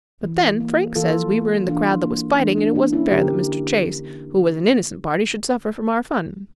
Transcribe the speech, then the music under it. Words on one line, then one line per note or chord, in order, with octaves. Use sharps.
But then Frank says we were in the crowd that was fighting, and it wasn't fair that Mr. Chase, who was an innocent party, should suffer from our fun.
E3
A#3
E3 F4 A4
A#3
E3 D4 F4
A#3
E3 D4
D4
A#3 D4
C#4 E4
D3 G4 A#4